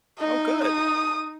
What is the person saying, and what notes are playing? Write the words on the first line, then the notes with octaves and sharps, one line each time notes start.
Oh, good.
D#4 D#5
D#6